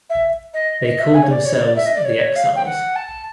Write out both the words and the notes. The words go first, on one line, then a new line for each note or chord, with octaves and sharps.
They called themselves the Exiles.
E5
D#5
D#5
E5
G#5
C#5
D5
C#5
D5
E5
D#5
D5
C#5
F5
G5
F#5
A5